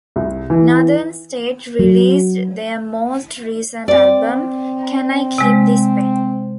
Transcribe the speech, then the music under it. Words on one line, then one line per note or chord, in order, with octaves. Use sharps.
Northern State released their most recent album, Can I Keep This Pen?
C2
E3
F#3
C4 D5
C3 G#3